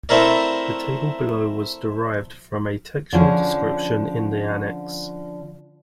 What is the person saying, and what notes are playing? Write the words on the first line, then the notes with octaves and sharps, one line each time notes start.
The table below was derived from a textual description in the annex.
A3 C4 E4 A#4 D5
D3 F3 C#4 G#4